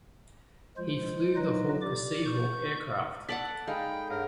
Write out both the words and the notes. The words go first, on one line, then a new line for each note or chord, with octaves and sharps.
He flew the Hawker Sea Hawk aircraft.
F3 G#3 F4 C5
F#3 D#4 F4 B4 D#5
G4 D5 D6
C#6 G6
A4 D5 F#5 B6 F#7
G#3 D#4 A4 F5 G5 B5
G2 G#4 A#4 C#5 F#5